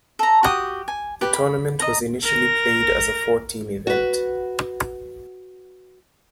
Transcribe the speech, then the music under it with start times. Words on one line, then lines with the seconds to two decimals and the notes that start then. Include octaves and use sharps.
The tournament was initially played as a four team event.
0.19 A4 A#5
0.43 F#4 G4 D#6
0.88 G#5
1.21 G4 B4
1.34 B5
1.80 D#5 A#5
2.24 A#4 A#6
3.87 F#4 B4